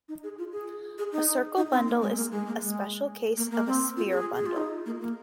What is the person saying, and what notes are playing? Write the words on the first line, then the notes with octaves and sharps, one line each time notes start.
A circle bundle is a special case of a sphere bundle.
D#4
G#4
F4
G#4
G#4
D#4
D#4
C4
A#3
G#3
A#3
G#3
A#3
G#3
A#3
A#3
C4
F4
G#4
G#4
F4
D#4
A#3
A#3